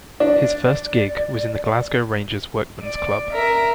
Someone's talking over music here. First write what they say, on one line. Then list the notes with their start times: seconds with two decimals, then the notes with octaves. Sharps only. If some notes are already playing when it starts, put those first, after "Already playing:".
His first gig was in the Glasgow Rangers Workman's Club.
0.20 D4 D5
2.83 D5
3.33 A#4 E5